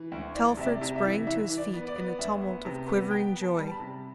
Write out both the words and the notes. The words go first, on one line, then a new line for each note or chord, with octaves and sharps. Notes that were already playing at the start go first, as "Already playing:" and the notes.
Telford sprang to his feet in a tumult of quivering joy.
Already playing: E3
D2
E3 D5
C3 E5
D5
C3
E5
E3
E3 E5
E3
D5
B3
D5
B3
D2 E5
B3
C3
B3
B3 G5
B3
A5
G3
A5
B5
C3